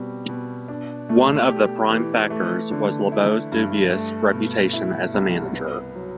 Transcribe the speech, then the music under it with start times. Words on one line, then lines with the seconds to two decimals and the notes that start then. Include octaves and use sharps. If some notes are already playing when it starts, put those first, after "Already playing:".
One of the prime factors was Lebows dubious reputation as a manager.
Already playing: B2 G3 C4
0.29 B2
0.68 D4
1.09 A3
1.50 G4
1.91 E3
2.30 A3
2.71 D3
3.12 E4
3.52 G2
3.93 A3
4.34 B2
4.73 E4
5.14 C2
5.54 B3
5.95 F#3